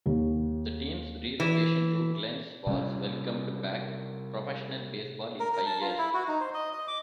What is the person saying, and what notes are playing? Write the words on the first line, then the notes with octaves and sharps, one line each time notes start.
The team's relocation to Glens Falls welcomed back professional baseball in five years.
D#2
E3
C3 G3 C#4
A#4
A#4
A5
F4
E4
F#4
D#4
C5
D#5
D#5
D6